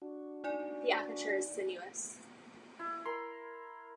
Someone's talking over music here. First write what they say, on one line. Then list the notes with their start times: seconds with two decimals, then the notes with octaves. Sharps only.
The aperture is sinuous.
0.02 D4 F#4
0.44 D#4 D5 G#5
2.79 E4
3.06 A#4 B5 C6